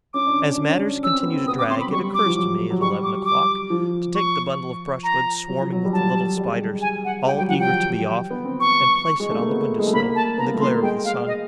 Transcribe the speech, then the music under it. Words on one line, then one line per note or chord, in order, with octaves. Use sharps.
As matters continue to drag, it occurs to me, at eleven o'clock, to take the bundle of brushwood swarming with the little Spiders, all eager to be off, and place it on the window-sill, in the glare of the sun.
C#4 D6
D4
C#4
D4
C#4
C#4 E6
C4
B3
C4
C4
B3 D#6
D6
C4 C6
B5
F#3
G3 C#6
D6
F3
F#3
F#3
G3 C#6
D6
D6
F3
C#6
A#5
F#3
F3
F#3
G3
F#3 A5
G3
G#3
G3
G#5
F#5
G3 G5
F#3 G5
F3 F#5
F#3 G5
B3
C4
C#6
G#3
A3
A#3
B3
G#3
A3
A#3 B5
A5
B3 A#5
A#3
A3
A#3 C6
G#3 G5
F5
D#5